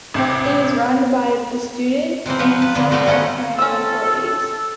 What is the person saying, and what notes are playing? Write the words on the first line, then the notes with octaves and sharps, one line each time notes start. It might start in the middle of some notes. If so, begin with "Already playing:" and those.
It is run by the students and some part-time employees.
A1 C3 C4
C3 E3 A#3 C4
F3 D#4 B4 F#5
B4 A5
D3 E3 B3
F3 G3 A3 F#4
D#3 G3 C#4 D#5 F#5
C4 C#4 A4 E6